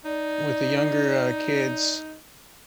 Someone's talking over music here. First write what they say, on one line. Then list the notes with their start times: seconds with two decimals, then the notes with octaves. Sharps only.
with the younger, uh kids,
0.05 D#4 D5